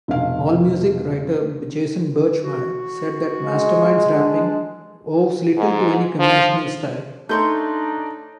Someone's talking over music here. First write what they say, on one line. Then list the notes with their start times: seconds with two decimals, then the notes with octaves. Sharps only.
AllMusic writer Jason Birchmeier said that Mastamind's rapping "owes little to any conventional style".
0.08 F1 B1 F5
2.44 F#4
3.41 G#3
4.12 D4
5.57 G#2
6.20 F3
7.29 A3 D4 D#4 C#5 C6 G6